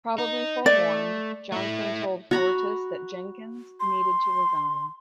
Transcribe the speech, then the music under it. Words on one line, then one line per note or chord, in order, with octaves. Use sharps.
Probably forewarned, Johnson told Fortas that Jenkins needed to resign.
D#4
A3 D5
A3 E4
F#4 A#5 B5
C6